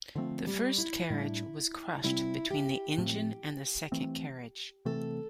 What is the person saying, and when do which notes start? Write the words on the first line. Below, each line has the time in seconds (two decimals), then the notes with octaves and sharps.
The first carriage was crushed between the engine and the second carriage.
0.15 D3 F3 A3 C4
0.47 G3
0.78 E4
1.10 A2 G3 D4
2.04 C3 G3 C4 E4
2.51 G4
2.98 A2 F3 A3 C4
3.92 E3 A3 C4
4.85 C3 E3 A3 C4 A4